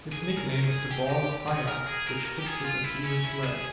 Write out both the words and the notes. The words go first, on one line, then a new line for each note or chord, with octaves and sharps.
His nickname is the "Ball of fire", which fits his appearance well.
G#4
A#4
G#4
G4
G4
G#4
A#4
G#4
A#4
A#4
G4
G#4
F4
E4
C#4
E4
G#4